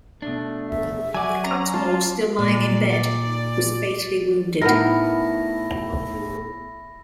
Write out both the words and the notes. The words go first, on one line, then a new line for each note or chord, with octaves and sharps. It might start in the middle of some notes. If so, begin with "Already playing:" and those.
Cutmore, still lying in bed, was fatally wounded.
B2 A3 D4
E5
F#3 F#4 D5 G#5
C#4 A#5
F4 A5
A#2 D5
A2 B3 D#4 E4 A#4 A#6